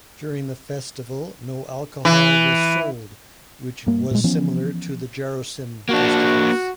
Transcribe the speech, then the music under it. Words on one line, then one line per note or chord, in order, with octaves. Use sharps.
During the festival no alcohol was sold, which was similar to the Jarocin festivals.
E3
G2 A#3
A#2 G#3
E3 F3 B3 C#4
A#3 D4 F#4